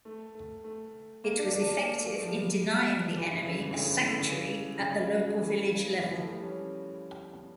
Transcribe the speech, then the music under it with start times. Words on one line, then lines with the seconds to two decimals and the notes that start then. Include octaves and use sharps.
It was effective in denying the enemy a sanctuary at the local village level.
0.05 A3
0.35 A3
0.64 A3
1.24 A#3
1.39 D4
1.54 D4
1.69 A#3
1.83 A#3
1.98 A3
2.13 A3
2.22 F3
2.28 G3
3.02 F3
3.17 E3
3.32 C#3
3.46 D3
3.61 E3
3.71 C#3
3.76 D3
3.91 E3
4.06 D3
4.20 C#3
4.80 C#3
5.39 E3
5.99 E3
6.13 F3
6.21 A3
6.28 G3
6.43 C#4